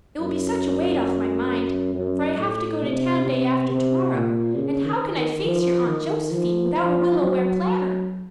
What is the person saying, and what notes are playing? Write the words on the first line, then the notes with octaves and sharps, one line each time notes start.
It will be such a weight off my mind, for I have to go to town day after tomorrow and how can I face your Aunt Josephine without a willow-ware platter?
F#2
F#2
A2
C3
C3
C3
A#2
C#3
D#3
D#3
F3
D#3
F3
F3
F#3
F#3